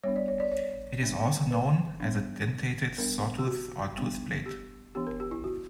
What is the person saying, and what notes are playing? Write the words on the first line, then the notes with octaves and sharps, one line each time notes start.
It is also known as a dentated, sawtooth, or toothed blade.
G3 B3 D4 C#5
D5
C#5
D5
C#5
G3 B3 D4
B4
E3 G3 B3 D4
G3 B3 D4 A#4
G4
F#4
G3 B3 D4
G4
E3 B3 D4 G4
A#4
G4
E4
F#4